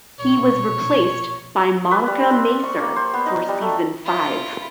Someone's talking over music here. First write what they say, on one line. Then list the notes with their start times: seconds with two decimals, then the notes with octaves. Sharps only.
He was replaced by Monica Macer for season five.
0.20 A#1 F2 B2 C#5
1.91 B4
2.08 G3
2.31 C4
2.64 C#6
2.78 A#3
2.96 C5
3.14 B3
3.26 D#4
3.49 G3
3.62 A3
4.05 E4 F4